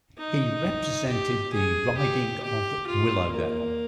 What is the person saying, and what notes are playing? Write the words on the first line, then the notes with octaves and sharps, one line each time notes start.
He represented the riding of Willowdale.
D#4
G4
G#4
G4
G4
F4
A#3